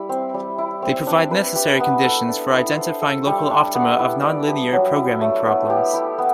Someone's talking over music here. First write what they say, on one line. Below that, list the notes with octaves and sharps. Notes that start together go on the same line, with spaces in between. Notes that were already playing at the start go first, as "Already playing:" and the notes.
They provide necessary conditions for identifying local optima of non-linear programming problems.
Already playing: G3 E4
C4
G3
E4
C4
D4
B4
G4
B3
A4
D4
E4
C5
A4
G3
D4
B3
E4
D5
G4
F#3
E4
A3
B3
G4
E4
B3